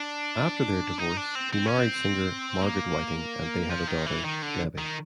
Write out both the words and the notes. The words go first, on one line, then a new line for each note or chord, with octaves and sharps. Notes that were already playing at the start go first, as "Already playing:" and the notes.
After their divorce, he married singer Margaret Whiting, and they had a daughter, Debbi.
Already playing: D4
D#4
D4
C4
C4
C#4
C4
A#3
F3
D#3
E3
D#3
D3
D#3